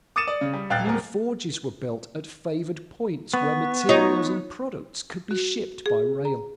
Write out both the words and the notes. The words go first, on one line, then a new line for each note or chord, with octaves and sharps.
New forges were built at favored points where materials and products could be shipped by rail.
D6 D#6 A6 C#7 D#7 E7
D5
C#3
G3
D#1 F5 G5 F#6 A6
D1 A#4
B3 C#6
D#4 F4 C#5
F#4
G#4
A#5